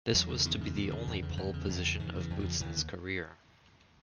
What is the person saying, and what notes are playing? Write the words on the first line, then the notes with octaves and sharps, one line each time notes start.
This was to be the only pole position of Boutsen's career.
E2 F#3
C#3
D3
E2 D#3
C#3
E2 D3
C#3
E2
C#3
E2
C#3
E2
C#3
E2 D#3
C#3
E3
E2
F3
C#3
D#2 E3
D3